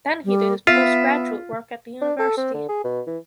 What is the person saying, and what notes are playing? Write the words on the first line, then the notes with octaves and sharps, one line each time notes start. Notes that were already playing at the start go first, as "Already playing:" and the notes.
Then he did his postgraduate work at the university.
G3
B3 F4 E5
D4
A4
C4
D3
G#4
B2
E3